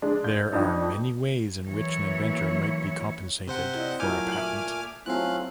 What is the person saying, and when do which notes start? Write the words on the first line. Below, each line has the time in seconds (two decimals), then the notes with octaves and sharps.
There are many ways in which an inventor might be compensated for a patent.
0.02 G#3 D4
0.24 G6
0.52 F2 D4 D#4
1.66 E3 F#3 A#3 C#4 E4 C#5
3.47 C3 C5 F#5
3.75 E4 D5 D#5
4.00 A#2 F#3 A3 E4 G#5 D6 F6 G6
4.32 E5 F#7
5.06 F#3 A3 C4 C#4 E4 F4 F5 F#6